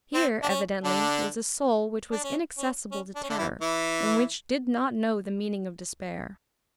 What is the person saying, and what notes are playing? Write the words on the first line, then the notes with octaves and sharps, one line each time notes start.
Here, evidently, was a soul which was inaccessible to terror, and which did not know the meaning of despair.
C4
D4
C#4
D3 D4
D4
C#4
C#4
C#4
D4
C#4
D3 D4
E3 E4
E3 E4